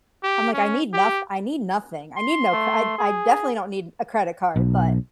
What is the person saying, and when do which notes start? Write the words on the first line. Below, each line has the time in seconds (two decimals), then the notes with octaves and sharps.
I'm, like, "I need noth I need nothing. I need no cr I'd I definitely don't need a credit card," but
0.23 G4
0.53 C#4
0.93 G4
2.17 C6
2.53 A3
2.98 G#4
4.56 B1